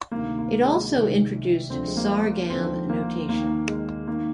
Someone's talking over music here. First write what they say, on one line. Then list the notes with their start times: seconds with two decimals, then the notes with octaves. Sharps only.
It also introduced sargam notation.
0.11 D2 C3 D#3 A#3
0.39 A#3
0.64 G#3
0.91 C2 C3 D#3 G#3
1.70 D2 D3 F3 C4
1.87 G#3
1.97 A#3
2.23 A#3
2.50 D#2 D3 F3 C4
2.89 A#3
3.28 D#2 D#3 A#3
3.67 G#3
4.07 D#3 A#3